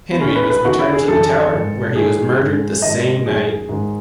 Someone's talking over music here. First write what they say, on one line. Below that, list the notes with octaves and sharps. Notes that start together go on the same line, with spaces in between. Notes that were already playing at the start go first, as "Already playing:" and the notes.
Henry was returned to the Tower, where he was murdered the same night.
B3
E2 D#3 C#4
B4
B4
E2 D#3 F#4
E4
G#4
F#2 C#3 E3 A4
G#2 D#3
G#2 D#3 G#4
G#2 D#3
G#2 D#3 D#5
F#2 D#3 G#4
G#2 D#3